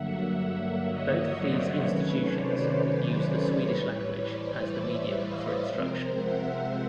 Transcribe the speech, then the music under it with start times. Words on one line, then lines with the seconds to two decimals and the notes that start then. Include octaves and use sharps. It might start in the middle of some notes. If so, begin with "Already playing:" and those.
Both these institutions use the Swedish language as the medium for instruction.
Already playing: G2 D3 F#3 A#3 E5 F#5
0.38 E5 F#5
0.86 C#5 D#5
1.34 C5 D5
1.82 C3 D#3 F#3 A3 C#4 B4 C#5
2.29 C5 D5
2.78 B4 C#5
3.26 B4 C#5
3.74 A2 E3 G3
4.22 C5 D5
4.69 D5 E5
5.18 D#5 F5
5.65 C3 F3 G#3 C4 A#4 C5
6.14 E5 F#5